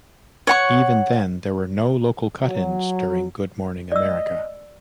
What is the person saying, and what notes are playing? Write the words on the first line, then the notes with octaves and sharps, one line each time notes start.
Even then, there were no local cut-ins during Good Morning America.
C#5 F#5 C#6
F#3
D5 D#5 E6